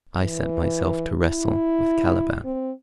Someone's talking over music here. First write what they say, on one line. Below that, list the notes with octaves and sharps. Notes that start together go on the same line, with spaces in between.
I set myself to wrestle with Caliban. . . .
E3
E4
C4